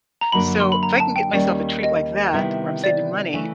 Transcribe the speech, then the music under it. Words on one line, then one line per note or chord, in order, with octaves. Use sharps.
So, if I can get myself a treat like that, where I'm saving money,
A#5
F#2 D3 F#3 A#3 D4 B5
C6
B5
A#5
A5
G5
D#2 D#3 G3 A#3 C#4 D5
D#5
C3 D#3 G3 B3 E4
D5
C#3 E3 A3